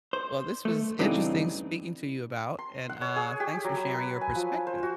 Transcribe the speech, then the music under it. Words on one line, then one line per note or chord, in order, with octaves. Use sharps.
Well, this was interesting speaking to you about and, uh, thanks for sharing your perspective.
C5
A3
G2 C#3 E3 C4 D4 D#4
C6
F#5
C#5
G#4
G4
F#3
B5
B4
G#5
F3
C5
F#4